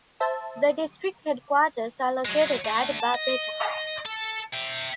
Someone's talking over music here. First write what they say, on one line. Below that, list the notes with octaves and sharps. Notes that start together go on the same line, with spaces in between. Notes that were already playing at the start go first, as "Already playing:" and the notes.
The district headquarters are located at Barpeta.
C5 E5 A5
F#3 G#3
D2 A3
A5
D#5
A4
E5 G5